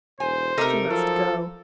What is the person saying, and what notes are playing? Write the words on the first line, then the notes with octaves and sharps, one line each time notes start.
She must go.
E1 C5 G#5
C3 A3 D#4 G4 A4 A#4
F3 F#3 A4